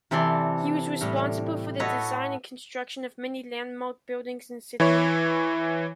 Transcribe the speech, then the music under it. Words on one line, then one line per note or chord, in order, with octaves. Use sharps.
He was responsible for the design and construction of many landmark buildings in Sydney.
C3 E3 A4 D5 C6
A2 G3
F#4 A4 B4 C#5 D#5
E3 E4 C#5